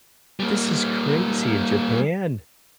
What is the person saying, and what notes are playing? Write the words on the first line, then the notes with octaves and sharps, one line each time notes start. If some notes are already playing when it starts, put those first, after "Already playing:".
This is crazy! In Japan?
G3 A#3